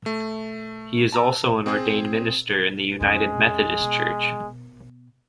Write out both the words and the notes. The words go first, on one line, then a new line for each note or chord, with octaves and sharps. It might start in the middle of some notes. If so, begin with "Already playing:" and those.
He is also an ordained minister in the United Methodist Church.
A3
A5 A#5 E6
C4 G#4
F2 G#3 C#4
B2